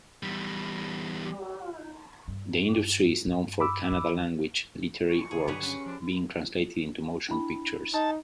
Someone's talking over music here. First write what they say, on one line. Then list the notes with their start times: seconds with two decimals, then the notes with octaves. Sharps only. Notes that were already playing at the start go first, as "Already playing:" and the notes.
The industry is known for Kannada language literary works, being translated into motion pictures.
0.23 E2 G3
2.28 G2
3.27 G2
3.60 B5 D6 E6
3.91 E2
5.10 C#6
5.31 C#3 G#4
5.48 G2 D3 F#3 G4 G#4 B4
5.63 C#4 B4
5.86 F3 D4
7.29 D4 E4 B5
7.94 D#4 A5